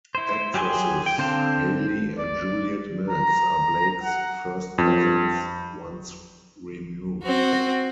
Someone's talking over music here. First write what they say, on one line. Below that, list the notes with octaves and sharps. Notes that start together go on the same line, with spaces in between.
Actresses Hayley and Juliet Mills are Blake's first cousins once-removed.
E4 C5
F#3 G4 G#4 G#5 C6
G5
D3 C4 C5 F5 A5
D5
A#5
F#5
F2
C4 F#4